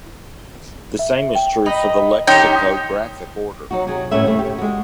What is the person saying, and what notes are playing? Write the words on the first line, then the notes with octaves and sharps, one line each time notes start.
The same is true for the lexicographic order.
E5
G5
D#4 B4 D#5
E3 C#4 D#4 G4 A#4 C#5 G5 C6
F#3 D#4 F#4
C3 F#3 G#4
A2 G3 C#4 B4 E5
C#3 G3 A3
G4
G#3 F#4